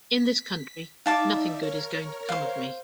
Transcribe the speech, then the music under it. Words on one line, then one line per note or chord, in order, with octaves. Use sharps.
In this country nothing good is going to come of me.
B6
D#4 D5 E5 F5 A5 D6
A#4 C#5 F6
C5 F5